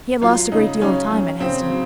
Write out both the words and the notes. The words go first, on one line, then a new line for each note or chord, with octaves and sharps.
He had lost a great deal of time at Hesdin.
F#3 F4
C#3 D#4
F#3 C#4
F#3 C#4
C#3 C4
F#3